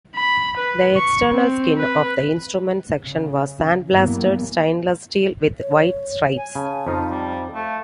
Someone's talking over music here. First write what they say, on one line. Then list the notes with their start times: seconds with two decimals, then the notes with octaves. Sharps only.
The external skin of the instrument section was sandblasted stainless steel with white stripes.
0.16 B5
0.57 B4
0.96 C#6
1.34 C4
1.78 B4
2.99 C#3
3.89 G2 E3 F#3 A#3 B3
5.60 C#5
6.38 G#5
6.55 C#3 A5
6.87 F2 F3 D#4 F4
7.10 G3
7.54 A3 F5